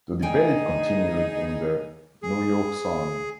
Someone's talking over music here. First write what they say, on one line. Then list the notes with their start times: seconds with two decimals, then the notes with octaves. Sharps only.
The debate continued in the "New York Sun".
0.22 D2 D#4 G#4 D#5 G5 G#5
2.23 G#4